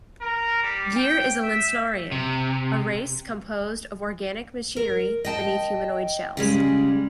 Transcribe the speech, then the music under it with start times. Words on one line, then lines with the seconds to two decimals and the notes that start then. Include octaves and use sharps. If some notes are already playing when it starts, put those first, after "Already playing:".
Gear is a Linsnarian, a race composed of organic machinery beneath humanoid shells.
0.21 A#4
0.62 G3
0.96 G5
1.42 E5
2.12 C3
4.76 A#4
5.25 D#5 G5 A5
6.37 C#3 G3 G#3